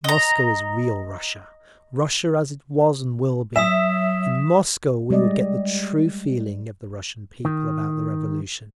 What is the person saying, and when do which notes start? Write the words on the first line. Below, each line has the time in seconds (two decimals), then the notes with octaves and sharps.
Moscow is real Russia, Russia as it was and will be; in Moscow we would get the true feeling of the Russian people about the Revolution.
0.04 D#5 A#5
3.56 F#3 E5 D#6 B6 E7
5.10 G3 G#3 D5 D#5
7.45 D#3